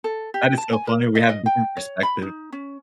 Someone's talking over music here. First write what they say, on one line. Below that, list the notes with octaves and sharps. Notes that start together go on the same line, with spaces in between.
That is so funny. We have different perspectives.
A4
G4
A5
G#5
A#4
D#5
D#5
G5
C#5
B5
D#4
C#4